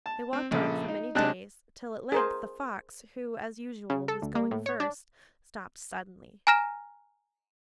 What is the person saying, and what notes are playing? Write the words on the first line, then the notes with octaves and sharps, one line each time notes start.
They walked on for many days, till at length the fox, who, as usual, was going first, stopped suddenly.
A5
C4
A#1 C#3 A4
D#4
C3 G#3 D4 D#5 A5 F#6
G#4 A#4 C5
C#3
A4
D2
A#3
A2
C#5
D4
G#5 A#5 F6 A#6 E7